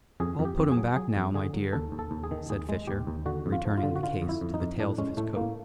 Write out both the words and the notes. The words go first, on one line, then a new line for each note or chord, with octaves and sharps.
"I'll put 'em back now, my dear," said Fischer, returning the case to the tails of his coat.
F2 G#4
F2
G4
F2
G#4
F#3
F#3 G#4
F2
D3 G#4
F#3
D#2 A4
D#2
A4
D#2
G#4
D#3
D#2 G#4
G#3
D#2 G4
D#2
D3 F#4
F2
F4
F3
F4
D3
F#4
D3 F4
F2
E4
F2
D#4
F2
A2 D4
G#3 C#4
A2 A3
A2 A#3